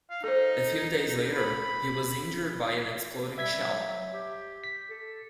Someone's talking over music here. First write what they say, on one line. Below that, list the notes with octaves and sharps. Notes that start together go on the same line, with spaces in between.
A few days later he was injured by an exploding shell.
F5
D#4 A4 C5
B5
G3 E5 G#6 B6
F#3
G4
B6
A4